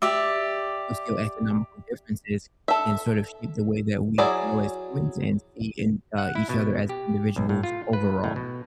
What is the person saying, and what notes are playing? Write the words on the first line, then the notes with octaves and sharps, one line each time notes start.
socioeconomical differences can sort of shape the way that we grow as humans and see in, uh, each other as individuals overall.
G4 D5 E5
A4 E5
F#3 E4 G#4 D5
F#5
E4
B2
G4
B1
A2
F4
B4
A2
B2